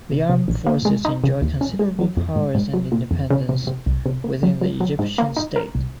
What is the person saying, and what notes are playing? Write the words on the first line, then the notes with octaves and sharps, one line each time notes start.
The Armed Forces enjoy considerable power and independence within the Egyptian state.
C3
C3
A#1
A#3
G#3
D#4
C#3
D#2
C#4
G#3
F#3
F2
G#2
G#2
F#3
A#2
F2
C#3
C3
C3
C2
C3
A#3
F#3
F#3
F#3
G#2
A#3
D#4
A#4
C2